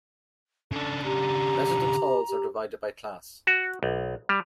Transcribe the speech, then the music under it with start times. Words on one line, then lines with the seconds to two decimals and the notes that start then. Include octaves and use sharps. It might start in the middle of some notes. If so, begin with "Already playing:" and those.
Residence halls are divided by class.
0.72 C#3 D4 A4
1.05 G4 A#5
2.29 G4
3.47 F#4
3.83 B1
4.29 G3